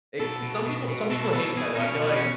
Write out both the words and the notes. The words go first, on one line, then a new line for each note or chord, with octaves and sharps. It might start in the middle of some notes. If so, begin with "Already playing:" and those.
eh some people some people hate that, though, I feel like
B2 A4
B2
B2
B2
B2 A4
B2 A4
B2 G#4
D#4
B2 C#4
E3 B3
C#4